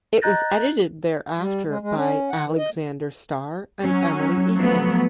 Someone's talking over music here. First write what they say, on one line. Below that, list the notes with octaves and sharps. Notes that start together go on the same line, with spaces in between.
It was edited thereafter by Alexander Star and Emily Eakin.
D#5 A#5 F#6 G6 A6 A#6
G3
G#3
G#3
C#4
F#5
E3
D#5
F#3 C#4
F3 A3 B3